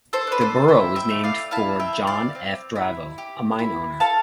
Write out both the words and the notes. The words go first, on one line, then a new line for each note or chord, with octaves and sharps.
The borough was named for John F. Dravo, a mine owner.
A4 C5
D4 B4
A4 C5
E4 C5 E5
E5 G5
A3
D5 F5
E4 F5 A5
E5 G5
C4
D5 F5
C4
E4
G4
E4
A4 F5 A5